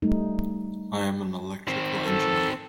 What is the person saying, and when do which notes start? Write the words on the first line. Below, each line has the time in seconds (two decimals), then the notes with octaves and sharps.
I am an Electrical Engineer.
0.02 G3 A3 D#4
1.68 D#3 C4
2.06 A4